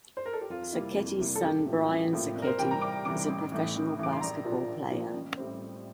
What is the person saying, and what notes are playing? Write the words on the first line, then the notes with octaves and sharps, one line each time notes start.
Sacchetti's son, Brian Sacchetti, is a professional basketball player.
C5
A#4
A4
G4
F2 F4
C3 G3 A#3 E4
F2
C3 G3 A#3 E4
A4
A1 G4
A2 F3 A#3
A1
A2 F3 A#3
C2
A#4
C5
C3 E3 G3 G5
A#5
C2 D6
C3 E3 G3 D6
A1
A2 E3
A1
A2 E3 D6
C6
A#1 A#5
A#2 F3 A#3 D4
A#1
A#2 F3 A#3 D4
A1
A2 G3 C4